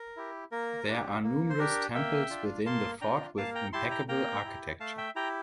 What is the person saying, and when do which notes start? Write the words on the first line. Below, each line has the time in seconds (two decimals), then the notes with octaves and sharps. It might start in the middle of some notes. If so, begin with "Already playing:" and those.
There are numerous temples within the fort with impeccable architecture.
Already playing: A#4
0.17 E4 G4
0.52 A#3 A#4
0.87 D4 G4
1.23 A#3
1.50 C5
1.58 D4 G4 A#4
1.95 A#3 E5 G5
2.30 D4 F4
2.66 A#3 A5 C6
3.01 D4 F4 G5 A#5
3.37 A#3 F5 A5
3.55 G5 A#5
3.73 E4 G4 A5 C6
3.91 G5 A#5
4.08 A#3 G5 A#5
4.44 E4 G4
4.80 A3 F5 A5
4.98 E5 G5
5.16 E4 G4 G5 A#5